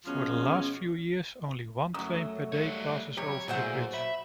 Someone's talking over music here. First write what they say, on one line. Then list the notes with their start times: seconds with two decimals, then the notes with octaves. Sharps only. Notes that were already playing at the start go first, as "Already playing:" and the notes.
For the last few years only one train per day passed over the bridge.
0.06 B2 F3 G#3 C#4
1.94 F#2 F#3 A3 D#6
2.52 G3 C#5
3.17 C3 F#3 G3 G4 C#5
3.48 A#2 F#3 A3 E4 G#4 C5 F#5
3.94 E5 B5